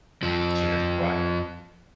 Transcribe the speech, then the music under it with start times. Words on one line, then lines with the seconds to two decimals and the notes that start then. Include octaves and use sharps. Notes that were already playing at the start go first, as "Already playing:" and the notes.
She never cried.
0.22 F2 F3